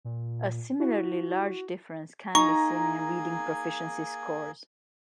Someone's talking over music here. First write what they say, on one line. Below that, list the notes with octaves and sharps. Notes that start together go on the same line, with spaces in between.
A similarly large difference can be seen in reading proficiency scores.
A#2
E4 F#4
A#3 D#4 G#4 G#5 A#5 C#6